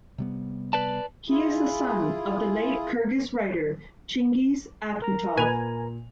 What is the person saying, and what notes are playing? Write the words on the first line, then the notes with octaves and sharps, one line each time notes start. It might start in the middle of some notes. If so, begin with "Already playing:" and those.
He is the son of the late Kyrgyz writer Chinghiz Aitmatov.
C3 G3 B3
B4 D5 A5
E4 F4 G#4
A#4 A#5
A#2 B4 G#5 F7